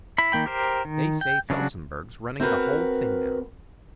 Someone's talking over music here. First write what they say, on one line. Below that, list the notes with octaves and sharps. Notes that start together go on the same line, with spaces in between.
They say Felsenburgh's running the whole thing now.
E4 B5
D#3 A#3 G5 B5
G4 A#4 C5
D#3
G5
C#3 F#3 D4 F#4
C4 F#4 A#4 B4